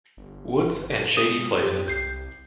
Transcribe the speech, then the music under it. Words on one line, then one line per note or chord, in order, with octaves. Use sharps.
Woods and shady places.
G1
G#3 D#6
F#2 G4
C2 G6 C7